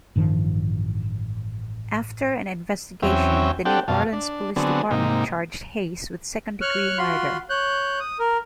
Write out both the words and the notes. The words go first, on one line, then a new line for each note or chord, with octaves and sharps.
After an investigation, the New Orleans Police Department charged Hayes with second-degree murder.
A1 G2 D#3 F3
E2 F#3 C4 C#4 E5 G5
C4 D4 G4 A4 F#5 G5
F#2 B2 F5 A5
D4
D3 F#3 B3 C4 D4 G#4
G#2 C3 A#3 D#4
C#5 C#6 F6 F#6
F4 F#4 B5 C6
C#5 F#6 G6
D#6
A#4